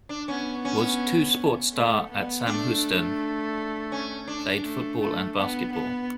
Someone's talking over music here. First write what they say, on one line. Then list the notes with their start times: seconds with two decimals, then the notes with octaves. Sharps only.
Was two sport star at Sam Houston played football and basketball.
0.09 D4
0.28 B3 C#4
0.65 C#4
1.73 A3
2.10 B3
2.46 A3 D4
3.92 C#4
4.28 D4
4.64 A3
5.00 A3
5.37 B3
5.73 B3